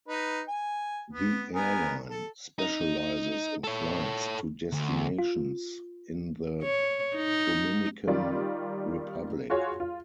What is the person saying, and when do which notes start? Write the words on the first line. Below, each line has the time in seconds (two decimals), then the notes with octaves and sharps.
The airline specializes in flights to destinations in the Dominican Republic.
0.08 D#4 B4
0.48 G#5
1.13 B3
1.55 B3 A#4 G#5
2.10 A4
2.59 D#4
3.64 A4 C#5
4.72 D2
5.19 F4
6.63 C#5
7.16 D#4
8.07 D#3 G3 F4 D5
9.50 F4 F#4 G#4 C#5 G#5 C6
9.80 F4